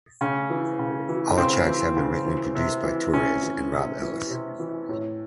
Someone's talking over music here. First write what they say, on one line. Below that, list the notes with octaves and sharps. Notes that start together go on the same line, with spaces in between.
All tracks have been written and produced by Torres and Rob Ellis.
C#3 C#4
E3
C#3
E3
C#3 C4
E3
C#3
E3
C3
E3
C3 C#4
E3
C3
E3
C3
E3
A2